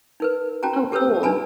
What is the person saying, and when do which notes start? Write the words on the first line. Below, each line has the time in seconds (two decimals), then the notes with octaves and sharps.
Oh, cool.
0.20 D#4 A#4 B4
0.63 C#4 F#4 G5 A5 A#5
0.92 G4 A4 B4 C#5 E6
1.23 D4 D#4 B4 G#5 A5 B5